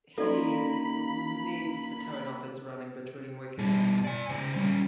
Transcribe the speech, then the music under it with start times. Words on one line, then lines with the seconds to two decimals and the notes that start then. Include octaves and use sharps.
He... needs to tone up his running between wickets.
0.18 A#3 C#4 D#4 F#4 A4 D5 B5 C6
3.59 B2 G3
4.04 D5 G#5
4.29 C#3 C5
4.56 G3 C#4